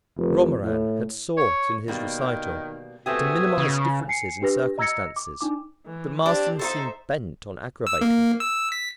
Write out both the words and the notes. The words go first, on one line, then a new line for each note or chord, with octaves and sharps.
Romarin had sought in his recital to minimise differences in circumstances; but Marsden seemed bent on aggravating them.
F1
A2
C#5
B2 D#3 G3 A#3
B2 A3 C4 G4 E5 G#5 D#6
C#3 B4
G#5 C7 C#7
D4 G4 B4 A#6
D#5 A#5 E6 G#6 A#6 C#7
D6
D4 D#4 D6
E3
C4 D4 G4
D#4 F#4 A4 C5 E5
E6
A#3
E6
B6